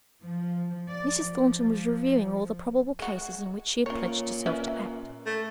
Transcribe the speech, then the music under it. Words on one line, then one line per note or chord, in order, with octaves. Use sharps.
Mrs. Thornton was reviewing all the probable cases in which she had pledged herself to act.
F3
D5
F3
G#3 F#4
A#2 C#4 C#5
C#4 B4 E5
A3